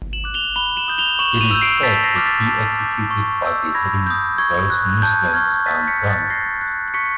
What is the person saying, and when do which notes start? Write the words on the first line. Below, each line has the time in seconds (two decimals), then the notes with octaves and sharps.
It is said that he executed by beheading those Muslims found drunk.
0.13 E7 F#7
0.24 D6 F#6
0.34 F7 G7
0.56 B5 F7 G7
0.77 E7 F#7
0.88 D#6 G6
0.98 F7 G7
1.19 C#6 E7 F#7
1.41 D#7 F7
1.51 E6 G6
1.61 C7 D7
1.83 A5 A6 B6
2.04 A#6 C7
2.16 D6 F6
2.26 A6 B6
2.47 A5
2.79 D6 G6
3.10 C#6
3.43 E6 G6
3.75 B5 G#6 A#6
4.06 D#6 G6
4.38 C#6 G#6
4.70 F#6
5.02 A5 G6
5.34 C#6 F6 G#6
5.66 A5 A6 B6
5.88 B6 C#7
5.98 C#6 F#6
6.08 A6 B6
6.30 C#6 A#6 C7
6.61 F#6
6.94 C#6 B6 C#7